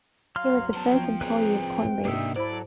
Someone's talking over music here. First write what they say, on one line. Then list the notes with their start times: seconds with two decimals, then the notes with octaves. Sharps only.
He was the first employee of Coinbase.
0.36 F#3 F5 C6 F6
0.74 B3 C5 A5
0.94 F3 B3 G5
1.21 F3 C4 G#4 A#4 B4
2.05 G#2 C3 A#3 D4 D#4 E5
2.36 F#3 E4 A4 C5 D5 B5